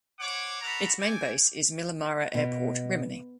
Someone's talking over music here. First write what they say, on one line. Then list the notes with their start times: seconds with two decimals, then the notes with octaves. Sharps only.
Its main base is Miramare Airport, Rimini.
0.19 C5 C#5 F#5 D6
0.62 D4 F#4 A4 A#5 B5
0.99 A4 G5 G#5 D6
2.34 B2